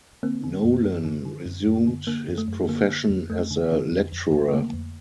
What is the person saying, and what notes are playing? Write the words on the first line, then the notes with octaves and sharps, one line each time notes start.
Nolan resumed his profession as a lecturer.
D3 A#3 C4
D3
F#2
F#2
D3
D3
F#2
F#2
D3
D3 A#3
F#2
A3
F#2
D3 A#3
D3
F2
F2 A3
D3
D3
F2
F2
D3
A3
D3 A#3
F2